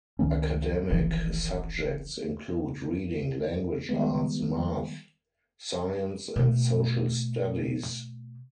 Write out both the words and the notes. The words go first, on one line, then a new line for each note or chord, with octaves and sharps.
Academic subjects include reading, language arts, math, science, and social studies.
C#2 D#3 A#3 C#4
D#1 A#1 D#3 E3
D#3 G3 G#3 B3
B2 A3